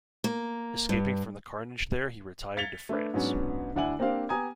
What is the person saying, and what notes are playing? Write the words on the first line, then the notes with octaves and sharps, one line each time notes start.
Escaping from the carnage there he retired to France.
A#3
G2
G#6 A6 B6 C#7 F7 G7
A3 D4 B4
G#2 F#3 B3 C#4 D4
D2 D4 E4 F#5 G#5 F#7
A#3 C4 D4 G4 C5 F5
B3 G4 G#5 A#5 D#6 G#6